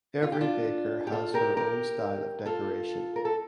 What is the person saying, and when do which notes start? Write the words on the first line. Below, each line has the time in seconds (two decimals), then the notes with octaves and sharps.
Every baker has her own style of decoration.
0.23 F4
0.32 G4
0.41 D4 F4
1.07 G4
1.12 F4 A4
1.34 G4 A#4
1.57 G4 A#4
2.46 F4 A4
3.16 A#4
3.25 A4